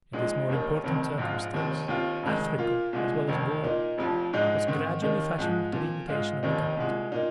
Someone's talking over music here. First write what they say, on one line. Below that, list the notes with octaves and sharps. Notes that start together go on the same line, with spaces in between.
In this more important circumstance, Africa, as well as Gaul, was gradually fashioned to the imitation of the capital.
A#1 A#2 G#3 D#4
F1 D#2 D#3 A#3
F1 F2 D#3 C4
A#1 G#2 G#3 F4
F1 D#2 D#3 C4
D#2 D#3 C4 F4
F1 F2 D#3 G#3
A#2 A#3 F4
C2 A#2 G#3
F1 F2 D#3
A#2 A#3 D#4
F1 F2 C3 F3
A#1 G#2 G#3 D#4
G#2 D#3 C4
D#2 D#3 A#3 D#4
G#2 F3 G#3
A#2 F3 C4
G#2 G#3 F4
F1 D#2 D#3 C4 D#4
C2 A#2 G#3
A#2 A#3 D#4